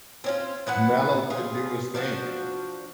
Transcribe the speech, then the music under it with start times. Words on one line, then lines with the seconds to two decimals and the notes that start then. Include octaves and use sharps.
Canelo couldn't do his thing.
0.24 C4 C#4 F4
0.67 E3 B3 F#5
1.30 F4 G#4
1.95 F3 D4 F#4